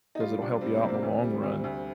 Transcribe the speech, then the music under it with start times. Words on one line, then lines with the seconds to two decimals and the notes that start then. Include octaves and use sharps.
'cause it'll help you out in the long run.
0.15 D#4
0.20 G3 F4
0.41 C3 D4
0.61 G3 C4
0.74 A#3
0.82 C3
0.88 C4
1.02 D2
1.22 G3
1.43 D2
1.64 D2